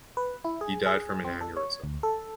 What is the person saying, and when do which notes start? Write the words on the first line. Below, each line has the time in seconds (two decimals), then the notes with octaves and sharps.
He died from an aneurysm.
0.17 B4
0.45 E4
0.61 G#4
0.86 G#4
1.25 C4
1.41 A4
1.57 C#5
1.84 D2
2.03 A4